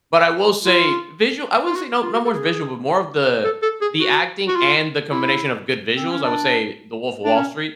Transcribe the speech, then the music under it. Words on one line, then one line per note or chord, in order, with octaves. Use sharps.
But I will say visual I wouldn't say no no more visual, but more of the the acting and the combination of good visuals, I would say, "The Wolf of Wall Street,"
F4
F4
F#4
F4
F#4
A4
G#4
A4
A4
G#4
F#4
F#4
F4
E4
C4
C#4
D4
D4
C#4